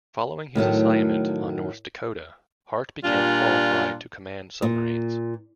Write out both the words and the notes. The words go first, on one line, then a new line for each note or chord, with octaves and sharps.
Following his assignment on "North Dakota", Hart became qualified to command submarines.
A2 D#3 F#3 A3
A#2 G3 D4 F4
A#2